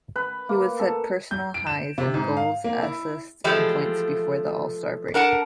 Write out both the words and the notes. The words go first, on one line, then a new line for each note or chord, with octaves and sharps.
He would set personal highs in goals, assists and points before the All-Star Break.
B4
A#3
A4
G6
D7
E7
C3
G#2
F5
A#3
E4
E3 F3 G#3 A3 G4
D4 A#4 F#5 A5